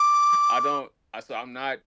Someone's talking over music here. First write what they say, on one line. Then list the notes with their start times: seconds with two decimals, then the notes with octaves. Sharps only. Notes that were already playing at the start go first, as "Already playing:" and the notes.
I don't, I so, I'm not
Already playing: D6